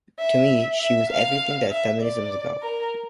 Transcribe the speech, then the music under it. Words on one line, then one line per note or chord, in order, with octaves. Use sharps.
To me, she was everything that feminism's about.
E5
E5
F5
E5
D5
A#4